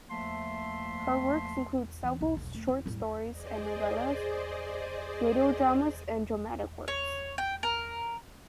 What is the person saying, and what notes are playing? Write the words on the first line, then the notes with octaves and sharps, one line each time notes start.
Her works include several short stories and novellas, radio dramas, and dramatic works.
F3 A3 A#3 E5 A5 C6
E3
B1
B1
A3
E2
A2 G3
G#4 C5 D5 D#5
C#5
G5
A#4